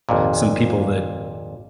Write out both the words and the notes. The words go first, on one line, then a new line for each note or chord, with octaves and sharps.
some people that
G#1 F2 A#2